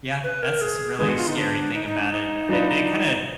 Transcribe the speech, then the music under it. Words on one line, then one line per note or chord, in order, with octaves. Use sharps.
Yeah, that's this really scary thing about it, uh, and it kinda
B4
A#4
G#4
D3 G#3 B3 G#4
F#4
F4
D#4
D4
D#4
D#4
D4
D#4
F#3 D4 F4 B4 D5